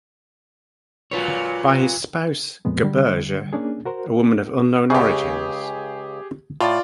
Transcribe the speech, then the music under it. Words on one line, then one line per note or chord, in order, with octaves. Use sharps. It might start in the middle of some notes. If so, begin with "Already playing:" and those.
By his spouse, Gerberge, a woman of unknown origins.
A#2 F#3 F4 B4 C#5
F2 A#2 G#3 B3
D3 G3
A#3 C#4 D4 G#4
F#4 A#4 C5
C#2 C#3 G4 G#4
A2 F4 D5